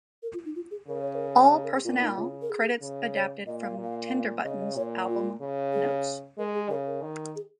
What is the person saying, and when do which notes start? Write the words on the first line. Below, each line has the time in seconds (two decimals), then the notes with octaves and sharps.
All personnel credits adapted from "Tender Buttons" album notes.
0.23 A#4
0.34 F4
0.45 D#4
0.56 F4
0.71 G#4
0.88 C#3 A#4
1.02 C#5
1.15 A#4
1.52 G#4
1.64 A#4
1.75 G#4
1.84 A#2 F4
2.02 D#4
2.17 C#3 F4
2.42 A#4
2.50 G#4
2.82 C#3
3.14 C#5
3.46 A#2 D#5
3.62 F5
3.79 A#2
3.84 F5
4.07 F5
4.44 C#3 D#5
4.60 D#5
4.76 A#2 C#5
5.09 F4
5.41 C#3
5.73 G#4
6.38 G#3 A#4
6.54 G#4
6.70 C#3 A#4
6.86 A#4
7.02 D#3
7.36 G#4